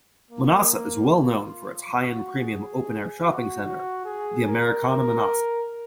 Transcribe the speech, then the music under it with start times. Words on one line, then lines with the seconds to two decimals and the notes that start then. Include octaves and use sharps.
Manhasset is well known for its high-end premium open-air shopping center, the Americana Manhasset.
0.31 A#3
1.15 F4
1.97 F#4
2.39 G#4
3.22 F#4
3.64 F#4
4.05 G#4
4.47 A#4
4.88 A#4